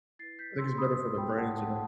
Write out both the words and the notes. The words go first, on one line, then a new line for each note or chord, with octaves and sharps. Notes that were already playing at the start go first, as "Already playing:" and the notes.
I think it's better for their brains, you know?
E4 B4 A6 C7
G6 B6
C6 E6
B5 D#6
G5 B5
F#5 A5
F#5 A5